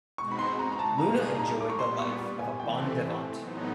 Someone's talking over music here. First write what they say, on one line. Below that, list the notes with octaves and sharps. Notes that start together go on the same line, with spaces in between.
Luna enjoyed the life of a "bon vivant".
B2 G#3 C4 D#4 F#4 C#6
B5
C6
A#5
A#5
A5
A#2 G3 A#3 D#4 G#4 A#5
A#5
D6
C#6
A#2 G3 B3 C6
C#6
C#6
G#5
C3 E3 A3 C4 G5
A2 F#3 B3 D#4